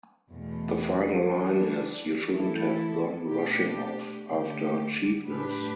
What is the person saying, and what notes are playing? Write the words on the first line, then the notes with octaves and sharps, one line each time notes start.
The final line is, You shouldn't have gone rushing off after cheapness.
E2 B2 A3
E3 G3 D4
E3 A3 E4 A4
B2 A3 D4 G4
D3 A3 G4
A2 G3 D4 G4 B4